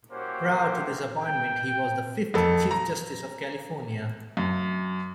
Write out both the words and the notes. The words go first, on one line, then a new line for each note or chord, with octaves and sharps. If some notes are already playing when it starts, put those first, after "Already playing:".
Prior to this appointment, he was the fifth Chief Justice of California.
A#3 C#4 E4 F#4 G4 C5
G5
F2 A4
A#5
F#2